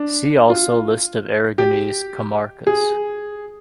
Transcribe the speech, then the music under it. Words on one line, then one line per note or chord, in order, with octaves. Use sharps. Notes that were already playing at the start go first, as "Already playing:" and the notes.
See also List of Aragonese comarcas.
Already playing: D4
F4
G4
G#4